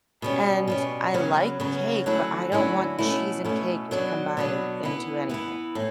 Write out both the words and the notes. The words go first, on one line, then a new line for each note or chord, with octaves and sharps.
and I like cake, but I don't want cheese and cake to combine into anything.
B2 G3 C#4
B2 G3 C#4
C#3 F#3 B3
C#3 F#3 B3
D3 F#3 A3 C#4 E4
D3 F#3 A3 C#4 E4
B2 A3 C#4 E4
B2 A3 C#4 E4
B2 F#3 B3 D4
B2 F#3 B3 D4
E3 B3 E4
E3 B3 E4
A2